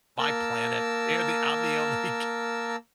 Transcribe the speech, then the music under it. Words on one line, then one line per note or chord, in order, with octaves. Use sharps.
my planet, they're the I'm the only
A#3 A#4 A5 E6